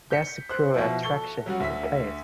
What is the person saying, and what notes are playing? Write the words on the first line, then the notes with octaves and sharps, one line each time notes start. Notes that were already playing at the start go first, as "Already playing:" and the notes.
There's a cruel attraction in the place.
G6 B6 C#7
C5 F#6
B2 F3 E4
A4 C#6 G7
F#3 G3 C#4 F#4
D2 E5 B6